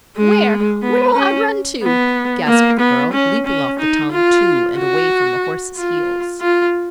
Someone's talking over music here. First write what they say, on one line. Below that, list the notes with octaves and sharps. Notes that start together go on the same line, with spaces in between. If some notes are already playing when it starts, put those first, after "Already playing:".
"Where, where'll I run to?" gasped the girl, leaping off the tongue, too, and away from the horses' heels.
G#3
B3
C#4
B3
A#3
B3
C#4
C#4
D#4
F4
F#4
F4
F4